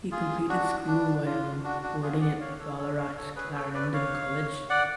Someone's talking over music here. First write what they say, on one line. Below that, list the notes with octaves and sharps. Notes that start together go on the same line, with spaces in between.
He completed school while boarding at Ballarat Clarendon College.
F4 G#4
D4 F#4
D4
F4
D4 F#4
D4 F#4
F4 G#4
D5 F#5
C#5 F5
A4 C#5
A4 C#5
C#5 F5
A4 C#5
G#4 B4
A4 C#5
B4 D5
C#5 F5
D5 F#5